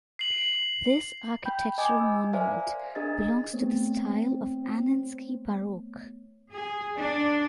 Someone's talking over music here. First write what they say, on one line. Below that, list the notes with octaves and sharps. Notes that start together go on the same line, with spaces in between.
This architectural monument belongs to the style of "Anninsky Baroque".
C7 F#7
G5 B5 G6
D#5 G#5 D6
E6
A#4 C5 D5 E5 F5 G#5
F5
D4 G#4 A#4 D#5 A6
A3 B3 C4 C#5
G#4
D4